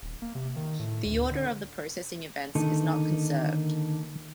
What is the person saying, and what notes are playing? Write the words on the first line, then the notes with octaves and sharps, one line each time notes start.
The order of the processing events is not conserved.
D#1
A#3
C3
D#3
A2
D2
D3
D3 D#3 A#3 D#4 A4